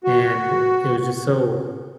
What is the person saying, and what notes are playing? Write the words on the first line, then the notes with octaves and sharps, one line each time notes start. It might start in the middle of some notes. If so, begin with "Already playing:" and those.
and it was just so
F#4